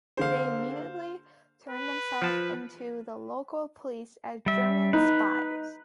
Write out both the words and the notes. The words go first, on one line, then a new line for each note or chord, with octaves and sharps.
They immediately turned themselves in to the local police as German spies.
D3 A#3 G#4 C5 F5
B4
F3 A5
G3 E5
D#4 B4